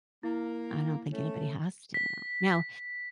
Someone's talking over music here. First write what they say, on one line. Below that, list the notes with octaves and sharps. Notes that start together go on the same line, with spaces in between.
I don't think anybody has to know. Now,
A#3 E4
A3 C#4
B6